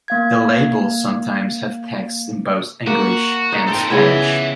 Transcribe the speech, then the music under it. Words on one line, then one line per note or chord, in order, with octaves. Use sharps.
The labels sometimes have text in both English and Spanish.
A#3 F5 G#6
A#3 F#4
D#4
C4 A4 G5
C#3 B3 E4 E5 G#5